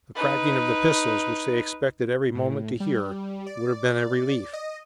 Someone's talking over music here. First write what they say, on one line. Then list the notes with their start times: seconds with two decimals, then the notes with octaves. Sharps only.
The cracking of the pistols, which they expected every moment to hear, would have been a relief.
0.15 D#4 B4
2.35 A2
2.80 G3
3.46 D5
4.53 D#5